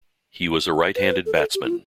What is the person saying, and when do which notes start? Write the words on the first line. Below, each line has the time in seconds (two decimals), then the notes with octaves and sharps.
He was a right-handed batsman.
0.96 B4
1.04 C5
1.11 B4
1.26 A4
1.36 B4
1.40 A4
1.55 G4
1.64 E4
1.70 F4